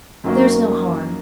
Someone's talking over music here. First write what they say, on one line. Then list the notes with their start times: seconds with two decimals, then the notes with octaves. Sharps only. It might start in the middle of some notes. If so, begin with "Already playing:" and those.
'There's no harm.
0.24 F#2 D#3 F#3 A#3